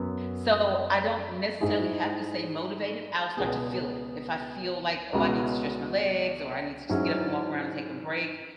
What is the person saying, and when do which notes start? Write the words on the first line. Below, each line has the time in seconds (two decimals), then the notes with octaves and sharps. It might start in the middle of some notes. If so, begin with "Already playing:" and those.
So, I don't necessarily have to stay motivated, I'll start to feel it. If I feel like, "Oh, I need to stretch my legs or I need to just get up and walk around and take a break,"
Already playing: F#2 F#3 B3
1.61 G#2 G#3 E4 G#4
3.37 C#2 B2 B3 G#4
5.13 C#2 B2 G#3 C#4 F#4
6.90 G#2 F#3 C#4 E4 G#4